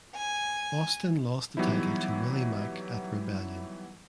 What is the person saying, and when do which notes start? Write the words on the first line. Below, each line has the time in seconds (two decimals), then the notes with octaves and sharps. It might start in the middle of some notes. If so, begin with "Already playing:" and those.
Austin lost the title to Willie Mack at Rebellion.
0.15 G#5
1.57 E3 F#3 G3 B3 D#4 E4